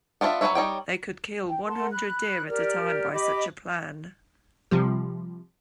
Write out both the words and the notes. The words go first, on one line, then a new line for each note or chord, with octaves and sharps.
They could kill one hundred deer at a time by such a plan.
B3 D4 F4 C#5 E5
F#3 C#4 B4 C#5 E5
G3 D#4 C#5 G5
G5
A#4 F#5 A5 C6
B5 F#6
G4 A#4 D5 F6
G4 D#5 B5 D6
C3 F3 G3